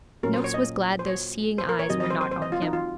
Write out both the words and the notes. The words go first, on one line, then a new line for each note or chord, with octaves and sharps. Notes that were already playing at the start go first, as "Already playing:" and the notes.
Noakes was glad those seeing eyes were not on him.
A#2 F#3 C#4 A#4
C5
C#5
D#5
C5
C#5
C5
A#4
C#5
D#3 F#3 C4 D#5
D#5
C5
C5
C5
D#5
F4
D#4
F4